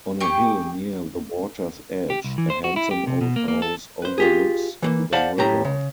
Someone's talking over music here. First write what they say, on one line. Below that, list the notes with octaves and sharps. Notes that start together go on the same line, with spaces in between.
On a hill near the water's edge a handsome old house overlooks the river.
G4 G#4 G5 C#6
G4
C2
E3
C5
F#4
E4
G4
C3
B2
A#3
A#3
A4
B4 C5
F4 G4 G#4
E3 G#3 A#3
C5 D5 F5 F#5 A5
A2 G4 A#5
C#3